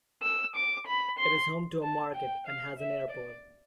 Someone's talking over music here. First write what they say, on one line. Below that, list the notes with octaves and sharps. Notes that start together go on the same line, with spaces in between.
It is home to a market and has an airport.
E6
D6
B5
C6
A5
G5
F5
E5
D5